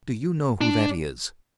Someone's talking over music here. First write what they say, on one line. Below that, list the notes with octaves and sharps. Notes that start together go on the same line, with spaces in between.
"Do you know who that is?"
D4